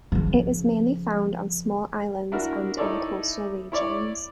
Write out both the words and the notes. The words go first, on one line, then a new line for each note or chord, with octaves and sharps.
It is mainly found on small islands and in coastal regions.
C#3 F3
D4 E4 F#4 A#4
D#4 E4 A4 C#5 D5
E4 C#5 D5